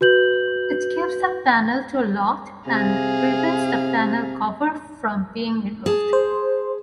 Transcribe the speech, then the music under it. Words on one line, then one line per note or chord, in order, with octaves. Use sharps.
It keeps the panel door locked and prevents the panel cover from being removed.
F#4 B4 G6 F#7
C3 G#4 F5
G#4 A5
C5